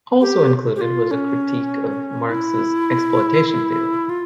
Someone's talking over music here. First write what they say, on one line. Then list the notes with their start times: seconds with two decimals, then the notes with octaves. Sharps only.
Also included was a critique of Marx's exploitation theory.
0.21 G4
0.76 G4
0.81 F4
1.11 C#4
2.30 E4
4.09 F4